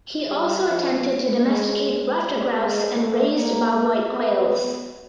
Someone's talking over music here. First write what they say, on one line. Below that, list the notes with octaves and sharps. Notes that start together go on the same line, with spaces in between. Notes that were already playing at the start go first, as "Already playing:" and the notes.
He also attempted to domesticate ruffed grouse and raised bobwhite quails.
G3
F3
G#3
G3
G#3
A3
A#3
B3